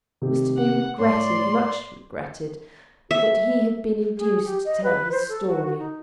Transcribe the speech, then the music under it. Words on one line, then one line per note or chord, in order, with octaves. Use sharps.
It was to be regretted,--much regretted,--that he had been induced to tell his story.
C3 D#3 G4
F#5
A2 C#5 D5 C6
E5
G#4
G4
D#5
B4
C5
A4
F#4
F#4
D#4